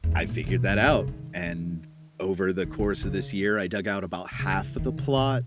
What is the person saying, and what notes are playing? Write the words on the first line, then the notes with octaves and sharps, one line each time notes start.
I figured that out. And over the course of this year, I dug out about half of the plot.
E2
G2
G#2
A#2
C#3
B2
G2
C#3
D#3
D#3
D#3
C#3
D#3
C#3
B2
C#3
D#3
E3
D#3
C#3
B2